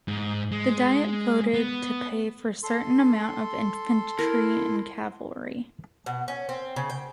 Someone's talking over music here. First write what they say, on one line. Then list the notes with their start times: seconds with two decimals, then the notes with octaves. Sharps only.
The Diet voted to pay for certain amount of infantry and cavalry.
0.08 G#2
0.52 G#3
1.54 B3
2.63 A4 C6
4.19 E4 A#4
6.06 B2
6.28 C#4
6.49 C4
6.76 C#3
6.90 G5